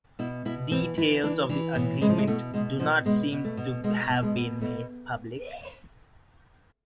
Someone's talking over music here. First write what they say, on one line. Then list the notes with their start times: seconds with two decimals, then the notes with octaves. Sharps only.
Details of the agreement do not seem to have been made public.
0.19 B2 E4
0.45 B2 E4
0.71 E3 C4
0.97 E3 E4
1.23 E3 D4
1.49 E3 D4
1.75 A2 B3
2.01 E3 G#3
2.09 F3
2.18 G#3
2.27 B2 A3
2.54 B2 G#3
2.79 B2 F3
3.05 B2 G#3
3.31 B2
3.44 A3
3.57 B2
3.84 B2 G#3
4.09 B2
4.23 G#3
4.36 B2
4.61 B2 A3